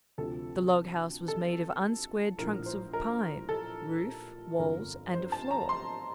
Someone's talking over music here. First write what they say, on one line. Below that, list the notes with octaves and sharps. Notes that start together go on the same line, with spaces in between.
The log-house was made of unsquared trunks of pine--roof, walls, and floor.
D2 C3 F3 A4
A4
A#1 A2 F3 A#4
C5
A#4
A4
G1 F2 D3 A#4
C5
A5
A#5
C6